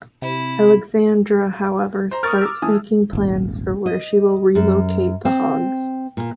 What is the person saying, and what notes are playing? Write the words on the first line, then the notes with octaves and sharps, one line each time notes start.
Alexandra, however, starts making plans for where she will relocate the hogs.
C3 E4
C5 A#5
A#4 C#6 D#6 F6 A6
D6 E6
E3 G#5 A5 D#6
D#1 G#1
D#5
F#2
C4
A#2